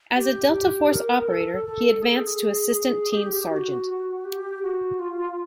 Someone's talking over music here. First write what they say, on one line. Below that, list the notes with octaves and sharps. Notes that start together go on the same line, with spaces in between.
As a Delta Force operator, he advanced to Assistant Team Sergeant.
G4
G4
A#4
A4
A4
G#4
A4
G#4
G#4
G4
F#4
G4
F#4
F4